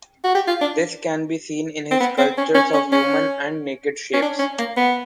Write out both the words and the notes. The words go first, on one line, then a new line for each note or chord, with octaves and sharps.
This can be seen in his sculptures of human, and naked shapes.
F#4
G4
F4
D4
C4
B3
C4
C#4
C#4
C#4
C#4
C#4
D4
C#4
A#3
B3